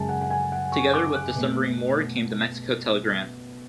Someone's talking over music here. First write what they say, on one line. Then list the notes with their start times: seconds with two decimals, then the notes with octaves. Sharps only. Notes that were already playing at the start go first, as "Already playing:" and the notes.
Together with the submarine war came the Mexico telegram.
Already playing: F#2 C#3 G#3 G#5 A5
0.09 F#5
0.21 F#5
0.30 G#5
0.52 F#5
0.72 C#6
0.94 D6
1.15 F#6
1.35 B2 A3